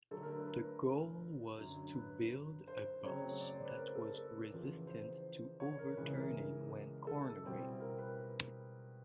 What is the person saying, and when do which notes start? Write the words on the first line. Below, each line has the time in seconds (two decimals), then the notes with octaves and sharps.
The goal was to build a bus that was resistant to overturning when cornering.
0.11 D3 F#3 A3 A4
0.23 A#4
0.35 B4
0.48 B4
1.58 F#2 D3 F#3
1.95 B4
2.68 C5
3.04 C#3 F#3 A3 C4 C#5
3.41 D5
3.53 C5
3.65 B4
3.77 A#4
3.96 A4
4.51 E2 C#3 F3
4.87 C5
5.60 C#5
5.79 A#4
5.97 C#2 C#3 E3 B4
6.15 A#4
7.07 A4
7.43 B2 G3 C4 E4
7.80 A#4
7.98 B4